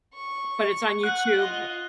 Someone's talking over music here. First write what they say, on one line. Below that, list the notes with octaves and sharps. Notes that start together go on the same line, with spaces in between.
But it's on YouTube
C#6
F#5 F#6
F4 D#5